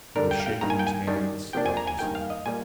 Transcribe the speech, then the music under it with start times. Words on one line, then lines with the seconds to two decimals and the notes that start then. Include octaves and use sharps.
He was shaking his hands helplessly.
0.16 D3 G3 D4 A#4
0.31 G5
0.40 F5
0.46 G5
0.61 G2 D#3 A#3 A#5
0.70 G#5
0.79 G5
0.87 G#5
1.07 D#3 G3 D4
1.53 C3 F3 A#3 D4 G5
1.66 G#5
1.77 A#5
1.87 G#5
1.99 G2 D#3 A#3 G5
2.15 F5
2.30 D#5
2.46 A#2 G3 A#3 G#5